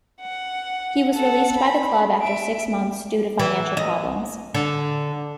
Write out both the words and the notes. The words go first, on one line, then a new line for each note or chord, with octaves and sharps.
He was released by the club after six months due to financial problems.
F#5
A4 F#5
B5
E5 D7
E3
D#5
D3